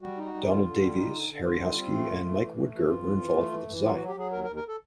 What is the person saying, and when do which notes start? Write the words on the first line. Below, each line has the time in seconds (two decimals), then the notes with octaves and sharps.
Donald Davies, Harry Huskey and Mike Woodger were involved with the design.
0.02 G3 F#4
0.18 D#4
0.26 F#4
0.34 G3
0.49 D3 F4
0.66 D3
0.81 G3
0.97 D#4
1.13 D3
1.29 D3
1.45 D3 F4
1.61 G3
1.77 C4
1.93 A3
2.08 F2
2.25 A3
2.40 E3
2.57 A3
2.73 E3
2.88 F2 F4
3.04 E3
3.20 E3
3.36 A3
3.52 E3
3.68 E3
3.84 F#3 F4
3.96 F#4
4.00 F#3
4.08 G4
4.15 F#3 G#4
4.32 D#2 A#4
4.44 A#4
4.48 D#2
4.56 A#4
4.68 A4